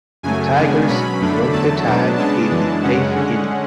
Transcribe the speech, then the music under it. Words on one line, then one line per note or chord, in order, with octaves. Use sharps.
The Tigers broke the tie in the eight inning.
F#2 C#3 F#3 A3 G#5
C#3 G#3 B3 D4
B2 F#3 C#4 B5
F#2 D3 A3 D4
E2 D3 F#3 A3 A5
B2 F#3 B3 D4
C#3 G#3 B3 D4 A5
F#2 E3 G#3 D4
F#2 C#3 G#3 C#4 F#5
D3 G#3 C#4